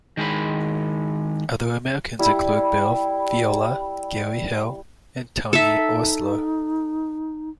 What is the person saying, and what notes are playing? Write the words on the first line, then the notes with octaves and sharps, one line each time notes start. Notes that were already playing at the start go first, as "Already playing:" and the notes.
Other Americans include Bill Viola, Gary Hill and Tony Oursler.
D#3 G#3 E4 B5
G3 E4
D#4 A4 E5